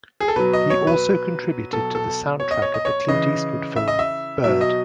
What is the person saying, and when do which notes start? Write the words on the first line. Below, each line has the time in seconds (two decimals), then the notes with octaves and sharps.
He also contributed to the soundtrack of the Clint Eastwood film "Bird".
0.20 G#4
0.28 A4
0.36 B2 F#3 B4
0.53 D#5
0.70 C#5
0.87 B4
1.73 B2 F#3 A4
1.95 A4
2.40 C#5
2.51 D#5
2.62 C#5
2.74 D#5
2.85 C#5
3.08 C#3 E3 D#5
3.76 E5
3.88 D#5
3.99 E5
4.44 B2 F#3 E5
4.61 D#5